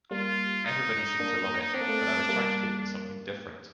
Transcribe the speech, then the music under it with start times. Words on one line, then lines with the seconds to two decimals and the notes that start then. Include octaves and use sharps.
Everybody seemed to love it, but I was trying to give them something different.
0.11 G3 A#3 F4
0.65 D#4
1.20 A#3 D4
1.74 C4 D4
1.81 A#3
1.88 A3 C4
2.29 G3 A#3